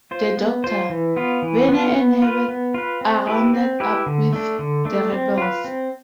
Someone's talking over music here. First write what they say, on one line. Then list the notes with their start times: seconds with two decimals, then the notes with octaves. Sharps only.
The Doctor, Vena and Herbert are rounded up with the rebels.
0.11 F4 C5
0.37 B3
0.64 F4 C5
0.90 E3
1.16 B3 F4
1.42 E3
1.69 B3 F4
1.95 B3
2.22 F4 B4
2.48 B3
2.74 F4 B4
3.01 C4
3.27 E4 G4 B4
3.54 C4
3.80 E4 G4 B4
4.06 D3
4.33 A3 D4
4.59 D3
4.85 A3 D4
5.12 C4
5.38 F4 B4
5.64 C4